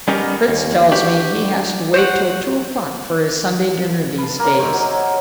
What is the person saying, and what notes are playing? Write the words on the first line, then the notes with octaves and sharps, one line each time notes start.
Fritz tells me he has to wait till two o'clock for his Sunday dinner these days.
G3 B3 C#4 D#4 G4 A#4
D#2
D4 F#4 G4
C5 C#5 F#5
B4 F5 A5
A#3 C#4
C5 C#5 D#5 E5
F#3